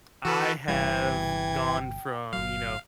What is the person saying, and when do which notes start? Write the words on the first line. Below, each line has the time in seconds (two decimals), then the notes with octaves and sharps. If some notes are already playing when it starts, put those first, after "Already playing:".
I have gone from, you know,
0.25 E3 F#4 A4 B4
0.68 G1 C3 E3 G3 G5 G#6
2.33 G1 F#3 F5